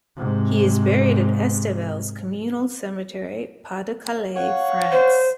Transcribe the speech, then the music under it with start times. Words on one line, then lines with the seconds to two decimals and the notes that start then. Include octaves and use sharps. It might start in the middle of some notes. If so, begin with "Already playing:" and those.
He is buried at Estevelles Communal Cemetery, Pas-de-Calais, France.
0.17 G#2 C3
4.35 C#5 F5 F#5
4.92 C5